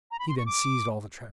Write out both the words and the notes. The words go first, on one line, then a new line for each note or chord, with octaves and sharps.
He then seized all the trout.
A#5
B5
C6
C#6
D6